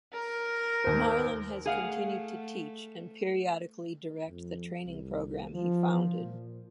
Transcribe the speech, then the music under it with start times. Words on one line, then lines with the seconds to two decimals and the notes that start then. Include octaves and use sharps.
Marlan has continued to teach and periodically direct the training program he founded.
0.13 A#4
0.84 D#2 C5
1.66 A3 G#4 F5 F#5
4.29 F2
4.86 C2
5.54 F3
6.19 A#2